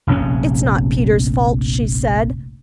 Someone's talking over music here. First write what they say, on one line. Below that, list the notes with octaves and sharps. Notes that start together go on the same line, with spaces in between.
"It's not Peter's fault," she said.
F1 A#1 C4 C#4